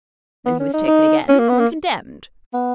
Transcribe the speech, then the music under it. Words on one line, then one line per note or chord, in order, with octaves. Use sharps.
Then he was taken again, and condemned.
B3
C#4
D#4
D#4
C#4
A#3
B3
A#3
B3